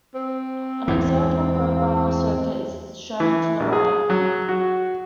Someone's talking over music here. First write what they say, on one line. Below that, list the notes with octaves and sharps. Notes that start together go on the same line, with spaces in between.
An example crowbar circuit is shown to the right.
C4
E2 G#2 E3
E3
A#1
G#4
F#3
F#4